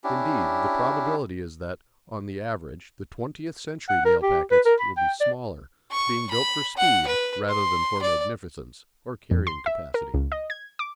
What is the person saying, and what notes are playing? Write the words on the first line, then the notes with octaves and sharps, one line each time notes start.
Indeed the probability is that, on the average, the twentieth century mail-packets will be smaller, being built for speed rather than for magnificence or carrying capacity.
C#4 D4 E4 G4
F#5
A#4
G4
B4
A#4
B5
G5
D5
C#6
B5
F#5
B4
C6
D5
F2
C6
E5
A#4
C#2
D#5
G#6
D6